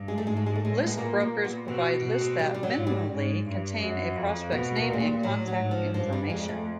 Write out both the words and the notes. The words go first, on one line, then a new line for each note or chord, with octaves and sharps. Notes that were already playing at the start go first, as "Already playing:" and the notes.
List brokers provide lists that, minimally, contain a prospect's name and contact information.
Already playing: G2
G#3
A3
G#2 G#3
A3
G#3
A3
A2 G#3
B3
A#2 A#3
A#3
B3
B2 C4
B2
C4
G3
G3
F#3
G#2
G3
G#2
G2
F#2
F2
B2 B3
A#3
A#2
G#3
G3
A2 F#3
F#3
G#2
F3
G2 F3
G3
F2 G#3
A3